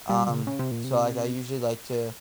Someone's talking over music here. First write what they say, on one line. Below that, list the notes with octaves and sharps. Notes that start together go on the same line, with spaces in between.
Um, so, like, I usually like to,
G3
C#3
C#3
C3
A#2
C3